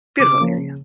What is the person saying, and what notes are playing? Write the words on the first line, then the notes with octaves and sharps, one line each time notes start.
beautiful area.
C#3 D6
F3 A#3 C#4
C#3